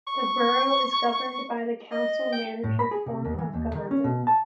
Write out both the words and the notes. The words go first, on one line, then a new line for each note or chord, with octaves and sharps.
The borough is governed by the Council-Manager form of government.
C#6
D#5
G5
A2
B5
G#4
C3
D#2
E3
D#2
D#3
C#4
B2
A5